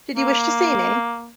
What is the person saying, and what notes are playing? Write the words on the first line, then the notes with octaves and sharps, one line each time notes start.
Did you wish to see me?
A#3